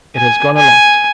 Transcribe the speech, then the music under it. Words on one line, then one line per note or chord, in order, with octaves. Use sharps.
It has gone aloft.
G#5
G#5